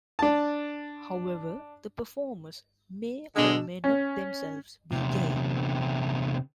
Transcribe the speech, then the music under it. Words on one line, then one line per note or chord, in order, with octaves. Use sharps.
However, the performers may or may not themselves be gay.
D4 A5
B2 D3 G#3 D4 E6
C#4
E2 C3